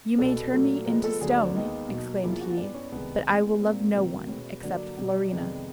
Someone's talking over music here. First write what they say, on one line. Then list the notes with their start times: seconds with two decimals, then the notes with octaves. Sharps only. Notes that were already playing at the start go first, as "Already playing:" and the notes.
"You may turn me into stone!" exclaimed he; "but I will love no one, except Florina."
0.18 C2 B2 G3 B3 A4
0.52 A#2 F#3 A3
0.86 A2 F3 G#3 B3 A#4
1.04 A4
1.20 D2 D3 F#3 B3 G#4
1.37 D4
1.55 D#2 D#3 G#3 B3 D#4
1.89 B2 F#3 A#3
2.23 E2 C#3 F3 A#3 E4
2.33 F4
2.41 F#4
2.48 F4
2.57 G2 E3 G3 B3 D4
2.74 C#4
2.92 C2 C3 D#3 G#3 B3
3.25 A2 E3 G3 C4
3.43 B3
3.60 A#2 G3 A#3 C4
3.94 D2 C3 D#3 F#3 A#3
4.28 B2 G#3 B3 C#4
4.63 G2 D3 F#3 A#3 D4
4.97 B2 F#3 B3
5.32 F2 C3 D#3 G#3 B3